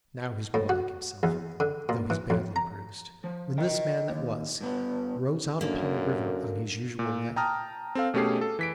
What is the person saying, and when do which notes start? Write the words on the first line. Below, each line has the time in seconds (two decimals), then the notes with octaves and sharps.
Now he's more like himself; though he's badly bruised,--when this man that was, rows out upon the river on his usual lay.
0.54 A2
0.69 F#4
1.23 E2
1.60 D3
1.89 A#2
2.10 E3
2.30 F2
2.56 A#5
3.24 F3
3.58 D#5 G5
4.09 D#2
4.61 G2 B3
5.61 F#2 D3 A#3
6.99 A#2
7.36 G5 A5 A#5 D#6 F6
7.95 C4 A4 F5
8.14 B2 A3 C#4 G4 G#4 C7
8.41 A4
8.59 E3 B6 D7